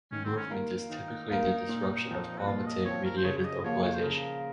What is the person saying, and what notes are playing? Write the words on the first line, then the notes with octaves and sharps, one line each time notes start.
Movement is typically the disruption of palmitate mediated localization.
D#3 C#4
C4
C#4
A#3 F4 A#4 F5
D#3 D#4
A#3 F4 A#4 F5
A#2
F3 C4
F#4
A#2 F4
D#5
F3 C4 C#5
A#4
C5
C#3 C#5
C#5
D#5
D#5
F3 A#3 F4 C#5
C#5
C5
C#3 A#4